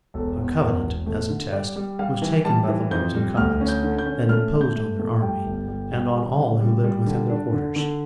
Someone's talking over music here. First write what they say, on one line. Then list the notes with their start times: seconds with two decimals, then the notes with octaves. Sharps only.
A covenant, as a test, was taken by the lords and commons, and imposed on their army, and on all who lived within their quarters.
0.14 E1 A4
0.38 E2
0.60 E2 A#4
0.83 E1
1.06 A3
1.30 D3
1.53 G3 D5
1.76 G3
1.99 G3 F5
2.22 E3
2.45 G3 A5
2.68 E3
2.91 F2 G6
3.15 G3
3.37 D2 F6
3.61 C#4
3.68 G6
3.83 D3
3.99 G6
4.06 C#4
4.29 A3 F6
4.53 A3
4.61 G6
4.75 A3
4.99 A3
5.22 G3 G5
5.45 G1
5.68 G3
5.91 G3
6.14 G3
6.37 C#3
6.60 G3
6.84 G3
7.07 D3
7.30 D4
7.53 D3
7.76 D3